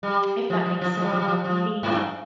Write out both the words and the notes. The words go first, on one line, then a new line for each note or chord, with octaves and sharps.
if that makes sense. Me,
G3
F3
F3
F3
F3
G3
F3
G3
F3
F3
G#2
G2